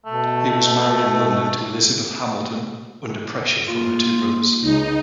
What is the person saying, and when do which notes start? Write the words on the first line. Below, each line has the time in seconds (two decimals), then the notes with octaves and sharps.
He was married in London to Elizabeth Hamilton, under pressure from her two brothers.
0.06 B2 A3
3.68 A#3 F4
4.61 C#2 D#4